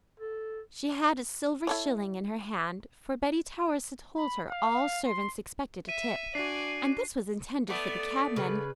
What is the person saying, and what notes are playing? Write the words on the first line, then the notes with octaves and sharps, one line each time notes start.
She had a silver shilling in her hand, for Betty Towers had told her all servants expected a tip, and this was intended for the cabman.
A4
E4 A4 C#5
B5
F5
C6
E5 D#7
D4 F#4 D5 G#5 C7
A3 B3 D5
C#3 B4